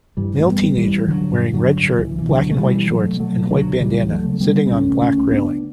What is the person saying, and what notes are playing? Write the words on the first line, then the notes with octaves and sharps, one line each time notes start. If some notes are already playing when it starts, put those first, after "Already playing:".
Male teenager wearing red shirt, black and white shorts and white bandanna sitting on black railing.
G2 E3 G3
A1 A3
G3 B3
A1
E3 G3
A1
A1 D3 F#3
G2
G2 D3 F#3
A1
C#2 E3
B2 E3
D3 F#3
B2
A3
E3 G3
B2
B2 F#3 A3
B2
F#3 A3
B2
D3 F#3
C#2
C#3 E3 G3
C#2
F#3 A3
C#3
A3
G3 B3
C#3
B3
C#2 A3 C#4
C#3
A3 C#4
C#2
B3 D4
C#3